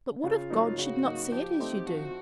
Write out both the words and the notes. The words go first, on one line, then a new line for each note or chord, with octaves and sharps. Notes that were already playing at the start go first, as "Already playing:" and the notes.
"But what if God should not see it as you do?"
C#3 F4
F#3 A#3 D#4
C#3 F#4
F#3 A#3 D#4
F3 G4
A3 C4 D#4
F3 F#4